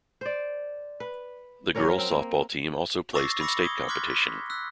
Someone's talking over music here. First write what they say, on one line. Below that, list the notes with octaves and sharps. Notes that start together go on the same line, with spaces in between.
The girls' softball team also placed in state competition.
C5 D5
B4
F#3 C#4 A#4 C#5
C4
A#3
C#6 D6 E6 A6 A#6 C7
B5 C#6 D6 E6 A#6 C#7
D6 D#6 G#6 G7
C6 D6 F6 F#6 G#6 B6
B6
E6 F#6 B6